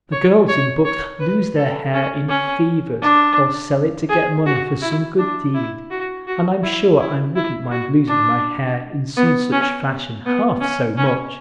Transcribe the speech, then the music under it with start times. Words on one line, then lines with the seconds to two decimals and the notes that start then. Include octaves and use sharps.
The girls in books lose their hair in fevers or sell it to get money for some good deed, and I'm sure I wouldn't mind losing my hair in some such fashion half so much.
0.12 C#5
0.48 C#5
0.85 C#5
1.20 B4
1.56 A4
1.93 C#4
2.28 C#4
3.01 D4
4.09 G#4
4.46 F#4
4.82 E4
5.19 D4
5.54 E4
5.91 F#4
6.27 F#4
6.63 E4
7.00 E4
7.36 E4
7.71 F#4
8.08 D4
9.17 B3
9.52 C#4
10.26 B3
10.61 C#4
10.97 C#4